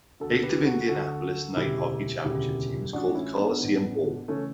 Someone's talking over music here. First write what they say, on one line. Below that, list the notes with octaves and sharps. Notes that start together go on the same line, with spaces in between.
Eight of Indianapolis' nine hockey championship teams called the Coliseum home.
D2 D3 F#4 A4
G4 B4
F#4 A4
D2 D3 F#4 A4
E1 D2 C#3 E4 G4
E1 D2 C#3 E4 G4
A1 A2 E3 D4 F#4
C#4 E4
B3 D4
A1 A2 E3
C#3 E3 A3 C#4